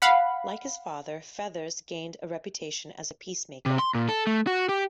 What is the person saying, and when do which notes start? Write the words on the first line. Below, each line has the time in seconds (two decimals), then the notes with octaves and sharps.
Like his father, Feathers gained a reputation as a peacemaker.
0.02 F5 F#5 B5
3.66 C3
3.79 C6
3.95 A#2
4.09 A4
4.27 A3
4.47 F#4
4.69 G4